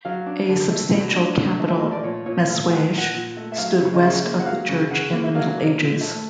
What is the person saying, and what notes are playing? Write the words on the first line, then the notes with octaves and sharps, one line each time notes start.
A substantial capital messuage stood west of the Church in the Middle Ages.
F#3 F5
D4
D3
A3
F#3 D#5
D4
D3
A3
E5
F3 D#5
D5
A#2 C#5
A#2 C#5
A3 F5
F3 F#5
A#2
F#5
A#2
A3
E5
F#3 F5
C#3
D#5
C#3 E5
A#3
F#5
F#3 F5
C#3
C#3 F#5
A#3
E5
F#3 F5
D4
D#5
A#2
A3